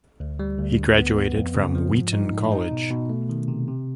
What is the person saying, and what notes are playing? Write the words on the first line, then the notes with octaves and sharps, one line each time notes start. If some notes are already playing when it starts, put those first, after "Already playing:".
He graduated from Wheaton College.
D2
G3
D2
D3
B3
B3
F2
C#3
F3
G#2
D#4
G#2
D#4
B2
B2
A3
D#3
C3
C3